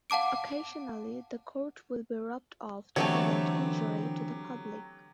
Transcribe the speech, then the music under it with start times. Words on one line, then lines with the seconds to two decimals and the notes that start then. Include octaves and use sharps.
Occasionally the court will be roped off to prevent injury to the public.
0.10 F5 F#5 A5 D6 D7
2.96 D3 E3 F#3 A3 B3 C4 G4 C#5